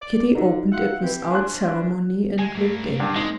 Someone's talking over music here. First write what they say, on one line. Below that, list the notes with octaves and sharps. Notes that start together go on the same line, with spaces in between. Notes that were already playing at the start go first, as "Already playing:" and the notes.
Kitty opened it without ceremony and looked in.
D5
D3 D#4 F#4
F4 E5 F#5
E3 C4 E4 G4 B4
F3 C#4 D4 G#5 C6 F#6
D2 G#3 G#5
G2 A3 A#3 D4
G2 F#3
G#3 C4 D#4